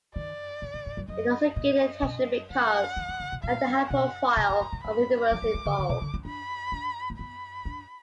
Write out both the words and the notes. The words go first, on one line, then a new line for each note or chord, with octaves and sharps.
It also gained attention because of the high profile of individuals involved.
D#3 D5
A#2
A#2
G#2
F#2
F#2 D#5
A#2 D#5
B2
D3 F#5
D#3
D#3
D3
B2
A#2 F5
B2 F#5
B2 A#5
A#2
G#2
A#2
G#2 B5
F3 D6
F#3
G#3
D3
D3
B2
D3
B3
D4 B5
D4
A#3
B3 B5
D4